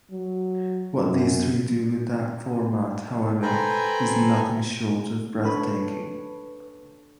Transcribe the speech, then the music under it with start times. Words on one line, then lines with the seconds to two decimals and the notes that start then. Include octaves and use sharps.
What these three do with that format, however, is nothing short of breathtaking.
0.11 F#3
1.00 F#2
3.42 A4 B4 C5 G5 G#5 A#5
5.45 D4 A4 B4 C#5 B5